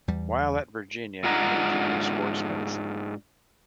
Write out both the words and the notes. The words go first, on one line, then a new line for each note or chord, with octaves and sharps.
While at Virginia, he majored in sports medicine.
E2 G3
G#2 D4 F4 D#5 F#5 A#5